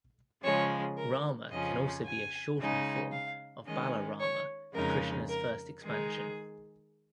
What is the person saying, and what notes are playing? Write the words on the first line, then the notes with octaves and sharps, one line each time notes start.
Rama can also be a shortened form of Balarama, Krishna's first expansion.
C#3 F3 G#3 C#5
A#4
F2 C#3 F3 C#4 D#5
G#5
C#3 G#3 D#4
F5
D#3 G#3 C#4 D#5
C#5
F2 C#3 G#3 D#4 A#4
A#4
D#3 G#3 D#4 G#4